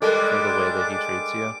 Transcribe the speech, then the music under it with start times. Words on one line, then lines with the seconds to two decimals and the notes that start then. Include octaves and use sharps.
for the way that he treats you?
0.02 G3 G#3 D4 A4 A#4 D6 F#6